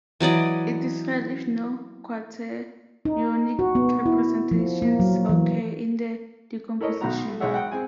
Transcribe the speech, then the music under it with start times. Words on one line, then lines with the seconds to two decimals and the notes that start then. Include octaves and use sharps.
It is real if no quaternionic representations occur in the decomposition.
0.20 E3 F#3 D5 D#5
3.05 D#4
3.59 F#4
3.75 B3
4.06 E4
4.51 F3
4.82 A#3
5.00 F#3
5.29 E3
6.81 E4 A4 A#4 C#5 D#5
7.01 B1 D#3 B3 F#4 A#5
7.28 A3
7.40 B1 G#3 G#4 C#5 E5 F#5
7.54 F#5 G5
7.71 C4 G#4 G#5